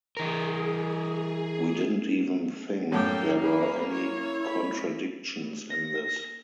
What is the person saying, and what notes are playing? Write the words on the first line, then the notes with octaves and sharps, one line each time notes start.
We didn’t even think there were any contradictions in this.
E3 G#4 A#4
F#2 A2 A#3 A4 G5 D6
G#4 B4
E4 C#5
B5
A#6